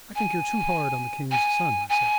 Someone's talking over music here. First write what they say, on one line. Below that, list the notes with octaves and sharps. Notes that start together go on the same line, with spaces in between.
"I think you're too hard on the king's son," I said.
G#5
G#5
G#5